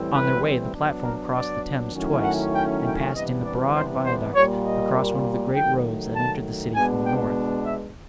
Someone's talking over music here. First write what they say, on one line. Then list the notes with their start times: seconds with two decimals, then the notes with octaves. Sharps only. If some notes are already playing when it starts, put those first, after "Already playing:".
On their way the platforms crossed the Thames twice, and passed in a broad viaduct across one of the great roads that entered the city from the North.
Already playing: A2 E3 G3 C4 E4
0.13 B4
0.73 F#3 B3 D4
1.03 A#4
1.33 D5
1.93 D#3 F#3 A3 C#4 E4
2.23 F#5
2.54 G5
2.84 G5
3.14 C3 E3 G3 B3 D4 D#5
3.43 D5
3.73 C5
4.04 C5
4.34 A#2 G3 A#3 C#5
4.64 D#5
5.54 D#3 F#3 A3 G5
6.14 A5
6.74 B2 G#3 B3 D4 G#5
7.04 G5
7.64 E5